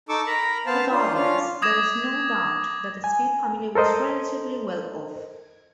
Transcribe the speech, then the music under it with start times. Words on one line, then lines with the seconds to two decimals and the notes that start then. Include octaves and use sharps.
Regardless, there is no doubt that the Speed family was relatively well-off.
0.09 D#4 A4 C#6 D6 E6
0.27 A#4 A#5 B5
0.66 B3 C5 F5 A5
0.91 C#4 D4 F4 C5
1.15 C#4 D4 F4 F5
1.62 D6 D#6 G#6 A#6 E7
3.04 G#5
3.75 A4 A#4 C5 D#5